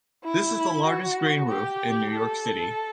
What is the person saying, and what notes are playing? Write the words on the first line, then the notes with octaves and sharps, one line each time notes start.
This is the largest green roof in New York City.
E4
F#4
G4
A4